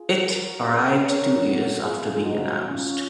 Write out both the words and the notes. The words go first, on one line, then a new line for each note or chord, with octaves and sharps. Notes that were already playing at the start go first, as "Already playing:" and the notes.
It arrived two years after being announced.
Already playing: F4 G#4
F#4 A#4
F#2 C#3 G#3 G#4 B4
A#4 C#5
C#3 F#3 A#3 F#4 A#4
F4 G#4
G#2 F3 B3 D#4 F#4
C#4 F4